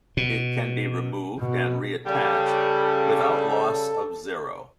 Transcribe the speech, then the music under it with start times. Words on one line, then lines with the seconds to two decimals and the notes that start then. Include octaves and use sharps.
It can be removed and reattached without loss of zero.
0.17 B2
1.38 B2
2.05 C#3 G3 A4